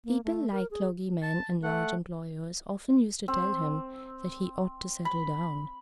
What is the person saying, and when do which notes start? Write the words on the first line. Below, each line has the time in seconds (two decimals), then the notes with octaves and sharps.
People like clergymen and large employers often used to tell him that he ought to settle down.
0.05 A#3
0.24 A3
0.52 A#4
0.71 G#4
1.23 A5
1.63 A3 F#5
3.28 C4
5.05 B5